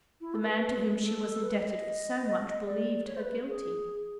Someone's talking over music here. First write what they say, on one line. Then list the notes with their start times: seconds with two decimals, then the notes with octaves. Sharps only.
The man to whom she was indebted for so much believed her guilty.
0.21 E4
0.34 A4
0.42 A#4
0.48 B4
1.02 A4
1.23 A4
1.43 B4
1.63 D#5
2.66 D5
3.06 C#5
3.15 C5
3.21 B4
3.47 G#4